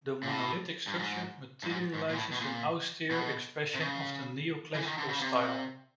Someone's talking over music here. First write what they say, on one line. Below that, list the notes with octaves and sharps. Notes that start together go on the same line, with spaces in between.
The monolithic structure materializes an austere expression of the neoclassical style.
A#2
A2
G2
G#2
G2
G#2
G#2
A#2
A2
B2
A#2
B2
C3
C#3
E3
D#3
D3
C#3
C3